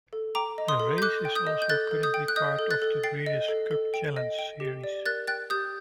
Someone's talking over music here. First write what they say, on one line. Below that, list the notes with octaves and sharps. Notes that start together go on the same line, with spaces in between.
The race is also currently part of the Breeders' Cup Challenge series.
A4
G5 A#5 D6
D#5
C6 D#6
A4
G6
A4 D6 F#6
G5
D#6 G6
D#5
G6
A4 F#6 A6
A4
D#6 G6
G5
F#6
D#5 D#6 G6
A4
F#6 A6
A4
G5 A6 C7
D#5
A4
A4
G5
D#5
G5
G4
D5
A#4 F#6 A6
G5 F#6 A6
G4 D#6 G6